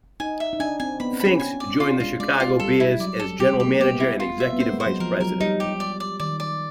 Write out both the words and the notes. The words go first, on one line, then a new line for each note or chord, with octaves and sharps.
Finks joined the Chicago Bears, as general manager and executive vice-president.
D#4 G#5
E5
D#4
D4 G#5
C4 G#5
B3 B5
C4
B5
C#4
G#5
D5
D4 F4
G#3 F4
G#3 D5
F4
G3 A4
E4
F#3 D5
A4
G3 G4
G#3
G4
A#3
B3 G4
E4
F4
E5
B3
A#3 C5
G#3
C5
F#3
F3 A#4
F#3 A#4
G3 D#4
G4
D5
D5
D#3 D5
D5